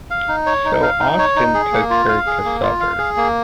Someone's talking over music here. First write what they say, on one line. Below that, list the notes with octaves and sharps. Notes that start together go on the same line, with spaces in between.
So Austin took her to supper.
F5
D#4
C#5
D#4
F5
D#4
C#5
D#4
G#4
A#3
F4
F5
G#4
A#3
F4
F5
G#4
A#3